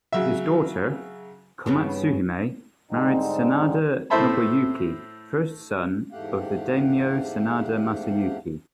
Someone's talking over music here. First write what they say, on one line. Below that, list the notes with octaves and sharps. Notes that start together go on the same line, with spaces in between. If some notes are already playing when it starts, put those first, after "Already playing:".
His daughter, Komatsuhime, married Sanada Nobuyuki, first son of the daimyo Sanada Masayuki.
C#3 F#3 E5
G2 C#3 B3
G#2 D3 G3 G#3 C4 D#4
A2 A3 C5 E5 A5 B5
E2 G#2 A3 G4 F5 F#5